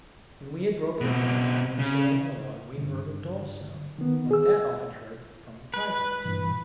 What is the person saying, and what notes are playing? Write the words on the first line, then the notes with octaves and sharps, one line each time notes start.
When we had broken camp and were sailing along, we heard a dull sound like that often heard from the tide rips.
B2 C4
C#3
G2 D3
D#3 B3
G#4 E6
B4
G2 A#2 E3